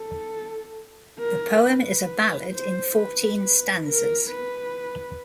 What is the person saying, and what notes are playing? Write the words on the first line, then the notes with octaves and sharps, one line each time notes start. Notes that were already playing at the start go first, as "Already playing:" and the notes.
The poem is a ballad in fourteen stanzas.
Already playing: A4
A#4
B4
C5
B4
A#4
B4